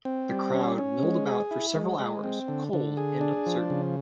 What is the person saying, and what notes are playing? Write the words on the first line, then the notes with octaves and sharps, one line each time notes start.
The crowd milled about for several hours, cold and uncertain.
C4
G3
C#4
C#4
G#3
G#4
E4
G#3
G#3
C4
D3
D3
G#4
D4
F3
C#3